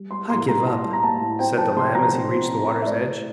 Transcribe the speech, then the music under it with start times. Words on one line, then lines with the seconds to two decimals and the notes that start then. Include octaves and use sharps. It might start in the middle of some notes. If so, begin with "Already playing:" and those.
"I give up," said the lamb as he reached the water's edge.
Already playing: G3
0.11 G3 C6
0.30 A2 C6
0.48 G3 A#5
0.66 A#3 A5
0.84 G3
0.93 A#5
1.03 A#3 A5
1.21 A2
1.39 C4 G5
1.58 F3 A5
1.76 C3 C6
1.94 F3 A#5
2.13 C3
2.31 C4
2.50 C4
2.68 C4
2.82 E5
2.86 A3 D5
3.05 A2